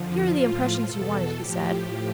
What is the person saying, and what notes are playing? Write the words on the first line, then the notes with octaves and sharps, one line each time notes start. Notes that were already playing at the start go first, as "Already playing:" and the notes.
"Here are the impressions you wanted," he said.
Already playing: F2 D3 F3
A2 F3 F4
E2 B2 A4
A2 F3 G4